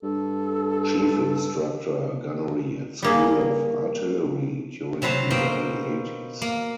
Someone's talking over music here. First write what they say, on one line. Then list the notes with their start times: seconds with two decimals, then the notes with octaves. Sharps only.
Chief Instructor Gunnery at School of Artillery during the early eighties.
0.03 G2 A4
3.02 G3 A#3 G#4
5.02 C3 F#3 B4 C5 A5
5.30 B2 A#3 C5 G5
6.42 A#3